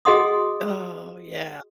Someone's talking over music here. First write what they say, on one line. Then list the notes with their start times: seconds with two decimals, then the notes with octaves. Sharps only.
Oh, yeah.
0.05 F#4 G#4 D#5 F#5 C6 D#6